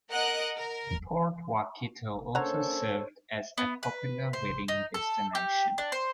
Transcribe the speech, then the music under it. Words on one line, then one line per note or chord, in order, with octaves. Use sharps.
Port Waikato also serves as a popular wedding destination.
A#4 D#5 F#5 F#6
A#4
A#3 C#4 D4 A4 C5 C#5 F#5 A#5
B3
B4
C5
D#4
A4
G4
D4
C5